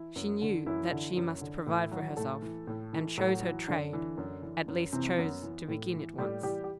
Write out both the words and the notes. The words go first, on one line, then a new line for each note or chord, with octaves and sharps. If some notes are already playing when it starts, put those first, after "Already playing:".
She knew that she must provide for herself, and chose her trade; at least chose to begin it once.
Already playing: E3 E4
F#2
D3
F#2 E3 E4
D3
F#2
D3
A2 E3 E4
E3 F#3 F#4
A2 A3 A4
E3
A2
E3
A2 F#3 F#4
E3
F#2 D3 D4
E3
F#2
E3
F#2
C3 E3 C4
F#2 B3
E3
A2
E3
A2 G3 G4
E3 G3 G4
G4